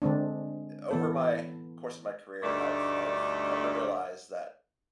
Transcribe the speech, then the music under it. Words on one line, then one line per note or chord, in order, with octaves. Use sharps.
I over my course of my career, I've I've come to realize that
D3 G#3 C4 D4
E3 B3 A4
D2 G2 A3 D#4 A4 D5